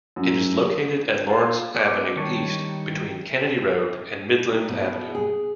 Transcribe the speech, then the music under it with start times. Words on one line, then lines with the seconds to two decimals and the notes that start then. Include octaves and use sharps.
It is located at Lawrence Avenue East between Kennedy Road and Midland Avenue.
0.16 F#2
1.30 F4
1.75 B3 D6
2.16 D#3 G3 C#5 A5
4.50 D#4
4.69 B2
5.15 G#4